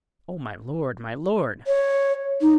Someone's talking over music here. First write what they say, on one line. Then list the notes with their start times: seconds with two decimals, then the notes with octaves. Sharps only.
"Oh, my lord, my lord!"
1.67 C#5
2.41 D#4